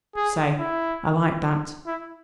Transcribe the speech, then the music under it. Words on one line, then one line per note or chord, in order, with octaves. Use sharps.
Say, I like that!
G#4
E4
E4